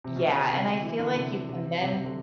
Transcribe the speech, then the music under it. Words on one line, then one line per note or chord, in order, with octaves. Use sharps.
Yeah, and I feel like you can then
C3
B2
D3
C3
D3
E3
D3
C3
C3
C3
C3
D3